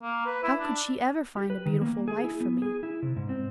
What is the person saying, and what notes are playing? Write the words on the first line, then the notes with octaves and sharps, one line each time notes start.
How could she ever find a beautiful wife for me?
A#3
B4
E4
D4
G4
B4
D#3
A#3
G#4
E4
B3
G#4
E4
C3
G#2
C4